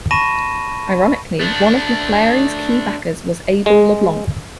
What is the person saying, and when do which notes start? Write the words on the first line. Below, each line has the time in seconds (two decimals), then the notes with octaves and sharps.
Ironically, one of McAlary's key backers was Abel LeBlanc.
0.11 A5 B5 C#6 A#6 D#7 E7
1.41 A3 D4
3.66 G#3